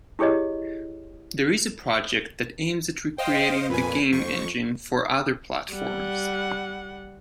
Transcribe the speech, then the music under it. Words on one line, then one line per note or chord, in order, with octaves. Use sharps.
There is a project that aims at recreating the game engine for other platforms.
E4 G4 G#4 C#5 D#5
C5 D#5 F5 G5
F2 A#2 B4 G#5
F2 C5 C#6
G3 F#5